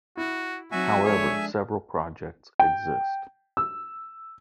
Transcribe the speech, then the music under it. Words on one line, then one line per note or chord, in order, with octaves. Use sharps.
However several projects exist.
E4 F#4
F#3 C4 D#4 F#4 E5 G#5
F3 G#3 D4 G#4 A4 C#5
G5
E6